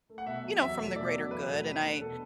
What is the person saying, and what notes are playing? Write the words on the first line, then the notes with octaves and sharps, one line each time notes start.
you know, from the greater good, and I
A3
F#5
B2 E5
F#3
E2 E5
A3
B2 D5
F#3
E2 B4
A3
A3
D4
B2 A4